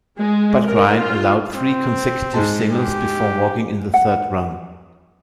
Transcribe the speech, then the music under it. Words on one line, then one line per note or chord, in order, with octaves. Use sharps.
But Ryan allowed three consecutive singles before walking in the third run.
G#3
A#4
F4
C4
G#2 G#3 A5
G4
F#5